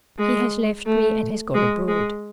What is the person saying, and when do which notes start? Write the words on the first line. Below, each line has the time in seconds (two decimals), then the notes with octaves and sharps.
"He has left me, and has gone abroad."
0.18 G#3
0.86 A3
1.55 G#3
1.88 G#3